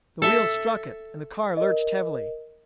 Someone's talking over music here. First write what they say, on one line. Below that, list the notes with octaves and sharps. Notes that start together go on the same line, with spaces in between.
The wheels struck it, and the car lurched heavily....
A4 E5
A#4 D#5